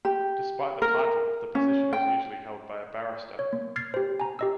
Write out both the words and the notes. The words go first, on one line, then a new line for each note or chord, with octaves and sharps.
Despite the title, the position is usually held by a barrister.
G4
A#4
C#4
G5
C#5
A#3
F6 G#6 A6 C7
G4 C5
G#5 A#5
G4 D#5 E6